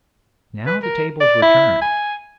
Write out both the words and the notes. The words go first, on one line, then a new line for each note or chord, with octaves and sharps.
Now the tables were turned.
B4
A#4
D5
E4
G#5